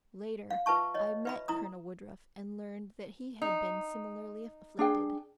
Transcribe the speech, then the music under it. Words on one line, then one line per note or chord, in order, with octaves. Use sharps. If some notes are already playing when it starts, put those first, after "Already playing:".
Later, I met Colonel Woodruff, and learned that he had been similarly afflicted.
F5
F4 B4 E5 A5 C#6
C#5 D#5
B4 E5 B5
E4 A#5 D#6
D#4
D4 G#4 G5